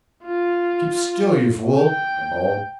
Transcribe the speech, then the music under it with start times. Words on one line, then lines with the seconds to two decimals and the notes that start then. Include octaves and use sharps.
"Keep still, you fool!" I bawled.
0.24 F4
1.81 G5